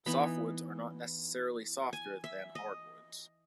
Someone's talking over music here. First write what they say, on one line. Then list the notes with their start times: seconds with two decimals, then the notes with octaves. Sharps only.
Softwoods are not necessarily softer than hardwoods.
0.06 E3 B3 D#4 B5
1.93 G#5
2.24 E5
2.55 D#5